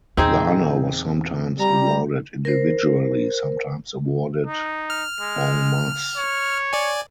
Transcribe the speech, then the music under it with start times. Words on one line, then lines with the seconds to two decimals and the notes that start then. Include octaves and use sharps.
The honor was sometimes awarded individually, sometimes awarded "en masse".
0.17 E2 A#2 C4 D#4 G#4
1.59 G3 A#5
2.45 A#4 C5
4.47 D#4
4.90 F6
5.20 G#3
6.17 C#5
6.73 D5 G#5